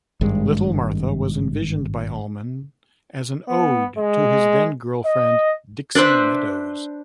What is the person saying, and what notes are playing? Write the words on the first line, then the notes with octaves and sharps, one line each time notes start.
Little Martha was envisioned by Allman as an ode to his then-girlfriend Dixie Meadows.
G#1 G2 G#3
B3
G#3
D#5
D4 B4 C5 E5